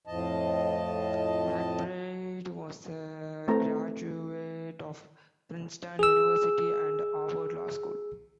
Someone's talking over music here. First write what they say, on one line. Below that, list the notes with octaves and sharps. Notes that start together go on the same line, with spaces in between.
MacBride was a graduate of Princeton University and Harvard Law School.
F2 A2 F3 D#5 A5
A3 C4 E4 B4 A#5
G#4 E6